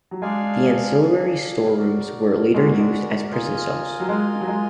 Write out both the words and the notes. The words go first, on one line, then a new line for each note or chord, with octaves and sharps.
The ancillary storerooms were later used as prison cells.
F#3
G#3 D4 G#4 D5 F5 G#5
D4 G#4 D5 F5 G#5
F#4 A#4 D5
G#3 F#4 A#4 D5
A#3
G#3
F4 A#4 D#5 G#5
F#3
G#3 F4 A#4 D#5 G#5
F#3
G#3